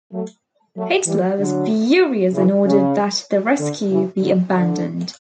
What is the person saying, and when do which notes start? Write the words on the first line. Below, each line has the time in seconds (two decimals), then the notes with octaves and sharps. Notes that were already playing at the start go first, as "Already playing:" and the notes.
Hitler was furious and ordered that the rescue be abandoned.
0.12 F#3 A3
0.76 F#3 A3
1.07 E3 G3
1.38 D3 F#3
2.33 C#3 E3
2.65 C#3
3.59 D3
3.91 C#3 E3
4.22 D3 F#3
4.54 D3